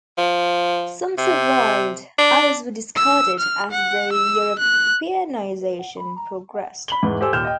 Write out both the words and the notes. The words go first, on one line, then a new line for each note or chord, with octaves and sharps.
Some survived, others were discarded as the Europeanization progressed.
F3
C3
D4
E6
F6
F#5
E6
F#6
B5 F#7 G7
E2 G#2 E3
G4 A4 C5 G#5 E6
D#2 A#2 F6 G6 E7
D#5 G5